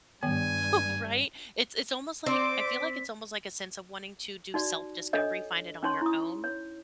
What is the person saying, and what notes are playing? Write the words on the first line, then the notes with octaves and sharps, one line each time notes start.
know, no, right? It's it's almost like I feel like it's almost like a sense of wanting to do self discovery, find it on your own,
G2 D#3 G3 B3 G5 G#5
C4 C5 D5 C6 D6
B6
D#4 F#4 D5
D4 A4 C#5 D#5
C#4 D#4 C#5 C6 C#6
E4 D#6
C#5